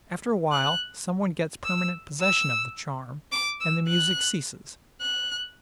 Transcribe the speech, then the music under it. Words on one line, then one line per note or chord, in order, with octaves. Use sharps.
After a while some one gets permanent possession of the charm and the music ceases.
F#6
E6
E6
D6
E6
F#6
F#6